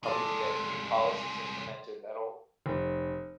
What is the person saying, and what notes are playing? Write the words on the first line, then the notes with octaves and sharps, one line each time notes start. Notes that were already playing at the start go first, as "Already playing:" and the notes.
hoping to get new policies implemented that'll
C2 G#3 F4 A4 D5
F1